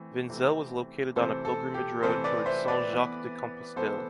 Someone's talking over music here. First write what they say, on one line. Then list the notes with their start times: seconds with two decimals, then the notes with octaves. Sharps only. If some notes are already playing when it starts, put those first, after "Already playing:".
Vinzelle was located on a pilgrimage road towards Saint-Jacques-de-Compostelle.
Already playing: E3 A3 C4
0.29 C3 E3 A3 C4
1.16 C3 E3 A3 C4 A4 C5
1.45 A4
1.74 G4
2.03 C3 E3 A3 C4 A4 C5
2.24 B4 D5
2.46 C5 E5
2.68 B4 D5
2.90 E3 B3
3.76 E3 B3 A4 C5